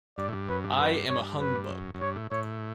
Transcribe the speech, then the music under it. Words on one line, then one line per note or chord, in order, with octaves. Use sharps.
I am a humbug.
G2 D5
A2
G2
F#2 B4
G2
F#2 B4
G2
G2 C#5
F#2 B4
G2
F#2
F#2
G2 C#5
A2
A2 C#5